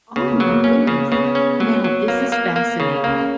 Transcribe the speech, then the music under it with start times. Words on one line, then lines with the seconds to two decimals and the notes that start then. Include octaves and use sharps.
Oh, my goodness. Now this is fascinating.
0.16 C#3 B3
0.32 A#3
0.40 F#3
0.48 A#3
0.64 A#3 C#4
0.87 C#3
1.12 C#3 B3
1.35 C#4
1.59 F#3 A#3
1.84 F#3
2.08 A#3 B3
2.32 A#3
2.56 A#3
2.80 C#3
3.04 A#3 C#4